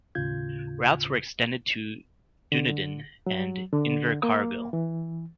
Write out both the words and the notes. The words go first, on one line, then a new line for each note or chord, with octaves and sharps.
Routes were extended to Dunedin and Invercargill.
D#2 A2 C#3 F4 G6 G#6
D3
F#3
D3
A#3
E3